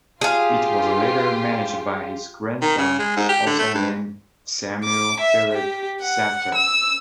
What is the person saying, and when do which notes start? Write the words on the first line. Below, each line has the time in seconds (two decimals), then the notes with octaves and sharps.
It was later managed by his grandson, also named Samuel Philip Sadtler.
0.21 F4 G4 G#4 F5
2.62 D#3
2.78 C#3
2.99 G#3
3.17 G#2
3.29 G4
3.46 D3
3.59 A3
3.75 G2
4.85 D6
5.20 E5
5.53 G4
6.01 F#5
6.55 E6